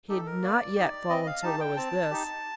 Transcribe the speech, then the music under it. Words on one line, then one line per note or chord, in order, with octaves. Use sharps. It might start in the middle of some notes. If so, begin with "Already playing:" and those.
He had not yet fallen so low as this.
D#4 G4 A4
A#4
A#3 D5
D#4 G4
C4 D#5
F5
D#4 G4 A5
G5
C4 A5
D#4 G4